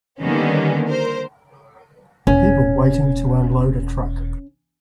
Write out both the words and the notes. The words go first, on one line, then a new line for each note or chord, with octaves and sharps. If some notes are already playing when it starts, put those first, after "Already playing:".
People waiting to unload a truck.
D3 D#3 G3 A#3 B3 C#4
A#4 C5
E1 C#4